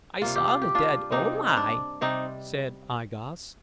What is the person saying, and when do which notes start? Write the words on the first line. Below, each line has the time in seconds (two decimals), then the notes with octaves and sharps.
"I saw the dead O-Mai," said I-Gos.
0.22 C3 G3 A#3 F4
0.35 G4
0.48 F4
0.62 G4
0.75 D4 F4
1.11 C3 G3 A#3 C4 D#4
1.57 D4
2.01 C3 G3 C4 D#4